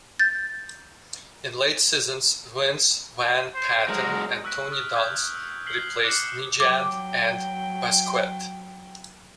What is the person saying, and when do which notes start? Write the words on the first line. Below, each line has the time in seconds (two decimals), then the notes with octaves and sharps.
In later seasons, Vince Van Patten and Tony Dunst replaced Nejad and Busquet.
0.19 G6 A6
3.54 C5
3.88 F#3 G#3 A#4
4.44 C#6 E6 F#6 B6 D7
4.72 D#6 F6
4.95 D#6 G6 G#6
5.35 E6
5.66 F6 B6 C7 F#7 G7
6.04 D6 F#6 C7 C#7 E7 F#7
6.60 F#3 G5 D6